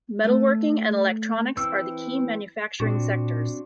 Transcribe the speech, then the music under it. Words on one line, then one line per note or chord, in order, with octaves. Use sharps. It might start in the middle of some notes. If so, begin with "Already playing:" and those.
Metalworking and electronics are the key manufacturing sectors.
A3
E3 C4 E6
A#2 C4 D4 F#4